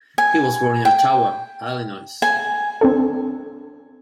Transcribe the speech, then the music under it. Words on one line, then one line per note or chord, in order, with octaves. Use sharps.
He was born in Ottawa, Illinois.
G#5
G5
G#5
C4 D4 A4